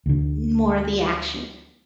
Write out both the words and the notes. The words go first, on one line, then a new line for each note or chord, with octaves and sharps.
more of the action.
D2 D3